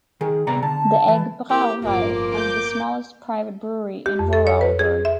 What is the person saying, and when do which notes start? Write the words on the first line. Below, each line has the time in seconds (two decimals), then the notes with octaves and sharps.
The Egg Brauerei is the smallest private brewery in Vorarlberg.
0.21 D#3 G#4
0.47 C3 B3 D5 A#5
0.62 D3 A5
1.08 E3
1.50 A#3 E4 G4
1.83 G1 A2 F3 A#3 F4 D6
2.32 D6 G6
4.06 G4
4.19 F2
4.33 A4
4.47 C#5
4.61 B4
4.79 G#4
5.05 E5